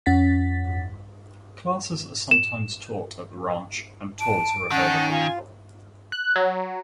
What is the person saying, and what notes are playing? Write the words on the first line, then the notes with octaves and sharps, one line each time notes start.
Classes are sometimes taught at the ranch and tours are available.
F2 C#4 F#5 A6 B6
E7
A5 D7
D#3 C#4 F#5 A5
F4 G#5
F#6
F#3